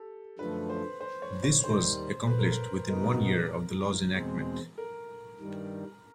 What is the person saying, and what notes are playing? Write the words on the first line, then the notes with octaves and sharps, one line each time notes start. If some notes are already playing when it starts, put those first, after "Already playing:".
This was accomplished within one year of the law's enactment.
Already playing: G4 A4
F#2 D3 F3 A3 B4
C5
C5
C#5
C#5
D#2 D#3 G3 C5
B4
A#4
B4
F#2 C#3 F#3 B3 D#4 A#4
E2 B2 G#3 C4
A#4
G2 D#3 G3